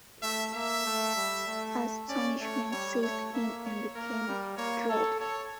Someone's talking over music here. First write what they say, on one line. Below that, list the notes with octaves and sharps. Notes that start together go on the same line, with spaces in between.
Astonishment seized him and became — dread!
A3 E5
A#3 E5
A3
G3
A3
C#4 D5
A3 C#5
G3 C#5
A3 C#5
A#3 E5
C#5
A#3 A#4
G3
A#3 C#5
A4 C#5
A4 C#5